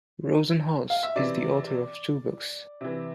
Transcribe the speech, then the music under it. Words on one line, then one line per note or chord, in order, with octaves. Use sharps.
Rosenhaus is the author of two books.
F5
E5
C3 E3 D5
C3 E3